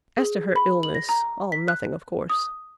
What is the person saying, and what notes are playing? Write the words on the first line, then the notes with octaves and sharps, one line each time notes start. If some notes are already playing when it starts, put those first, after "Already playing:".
As to her illness, all nothing of course.
G#4
B5
F#7
A#6
A#5
B6
F#6
D#6